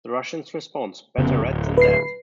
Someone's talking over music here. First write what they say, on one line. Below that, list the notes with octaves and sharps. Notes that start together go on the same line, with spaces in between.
The Russian's response: Better red than dead.
F1 C#3 B3
D1
B4 C7